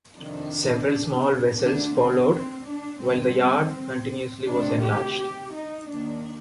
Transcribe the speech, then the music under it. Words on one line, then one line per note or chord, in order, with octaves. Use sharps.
Several small vessels followed, while the yard continuously was enlarged.
F2 C3 D#3 D4
D2 D3 D4
C4
C4
D4
G2 D3 C4
D2 C3 D#3 D4
G4
G4
D#4
D#2 D#3 D4